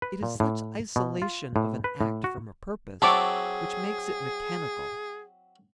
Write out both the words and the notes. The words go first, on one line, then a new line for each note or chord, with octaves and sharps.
It is such isolation of an act from a purpose which makes it mechanical.
B4
A#2
A2
B2
F4
A2
B4
A2
F#4
F#3 C4 E4 G#4 A5 C#6 D6